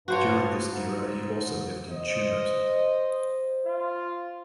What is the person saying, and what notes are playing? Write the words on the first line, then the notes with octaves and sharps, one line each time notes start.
During this era he also lived in Tumut.
G2 F#4 C5 C#5
G#2
C5 D#5
F4